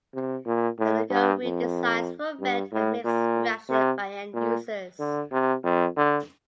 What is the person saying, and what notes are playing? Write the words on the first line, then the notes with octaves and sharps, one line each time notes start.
The logo redesigns were met with mixed reactions by end users.
C3
A#2
A2
G2
F2
G2
A2
A#2
C3
A#2
D3
C3
F2
D3